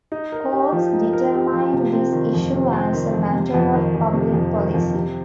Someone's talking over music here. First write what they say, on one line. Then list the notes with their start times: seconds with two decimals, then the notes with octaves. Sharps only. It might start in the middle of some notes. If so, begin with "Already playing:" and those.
Courts determine this issue as a matter of public policy.
0.12 D#4
0.32 A#4
0.52 G4
0.72 F3
0.93 D#4
1.13 A#4
1.33 G4
1.52 F3
1.74 C3
1.93 C4
2.13 D#3
2.34 F2
2.53 C3
2.73 C4
2.93 D#3
3.14 F2
3.33 C3
3.54 F2
3.74 D#3
3.95 F2
4.14 C3
4.34 F2
4.55 D#3
4.74 F2
4.94 C3